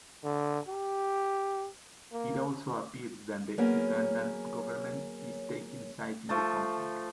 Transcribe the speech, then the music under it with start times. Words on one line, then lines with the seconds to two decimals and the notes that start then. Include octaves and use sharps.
It also appears that the Ugandan government is taking sides in the conflicts.
0.24 D3
0.68 G4
2.12 A#3
3.58 F#3 A#3 B3 C#4 G#4 A#4
6.29 F3 A3 A5